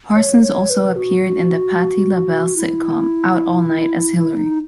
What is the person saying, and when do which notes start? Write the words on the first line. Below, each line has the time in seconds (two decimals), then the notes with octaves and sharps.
Parsons also appeared in the Patti LaBelle sitcom, "Out All Night" as Hilary.
0.15 C#5
0.43 C#5
0.70 B4
0.96 F#4
2.56 E4
4.18 E4
4.37 D#4